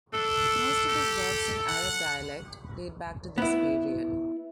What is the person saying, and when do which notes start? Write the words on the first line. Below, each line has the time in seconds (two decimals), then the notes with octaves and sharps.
Most of his works in Arab dialect date back to this period.
0.14 D4 A4
0.89 G4
1.68 F#5
3.38 B3 E4